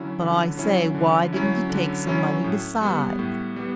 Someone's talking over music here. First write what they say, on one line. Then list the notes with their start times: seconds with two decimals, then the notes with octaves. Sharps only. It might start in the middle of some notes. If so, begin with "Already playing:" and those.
But, I say, why didn't you take some money besides?'
Already playing: D3 F#3 C#4 E4
0.20 D3
0.57 F#3 C#4 E4
0.95 D3
1.33 F#3 C#4 E4
1.69 D3
2.07 F#3 C#4 E4
2.44 A2
2.81 G3 B3
3.19 A2
3.56 G3 B3